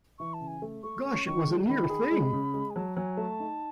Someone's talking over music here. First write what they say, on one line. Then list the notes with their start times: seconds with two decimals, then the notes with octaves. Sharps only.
Gosh, it was a near thing!
0.19 E3 C#6
0.34 A5
0.41 C#3
0.48 G#5
0.62 A3
0.83 A3 C#6
1.05 C#4 C#6
1.26 D#3 C#6
1.47 G#3
1.69 D#3 B5
1.89 G#4
2.11 G#3
2.33 C#3
2.54 G#3
2.71 G#5
2.75 F#3 A5
2.96 F#3 G#5
3.17 A3 A5
3.40 D#4